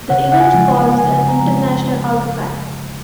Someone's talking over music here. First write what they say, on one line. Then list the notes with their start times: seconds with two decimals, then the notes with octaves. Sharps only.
The event caused an international outcry.
0.10 C#3 F#5
0.32 F#5
0.40 G#5
0.54 F3 G#3
0.98 C#3 G#5
1.29 A#5
1.43 F3 G#3